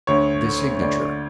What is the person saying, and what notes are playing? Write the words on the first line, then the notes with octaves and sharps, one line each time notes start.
The Signature.
D2 C#5
D3
D2 D5